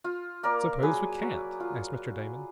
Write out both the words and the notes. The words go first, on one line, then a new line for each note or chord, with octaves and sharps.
"Suppose we can't?" asked Mr. Damon.
F4
A#3 A#4 D5
F#3 G#4 B4
F#3
F4